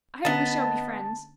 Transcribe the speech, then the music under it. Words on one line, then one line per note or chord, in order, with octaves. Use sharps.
I hope we shall be friends.
D3 B3 C#4 D4 D#5 A5